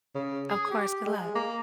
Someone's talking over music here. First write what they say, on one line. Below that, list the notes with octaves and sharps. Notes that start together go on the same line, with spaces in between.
Of course, good luck.
C#3
G#4
G4
G#3
A#3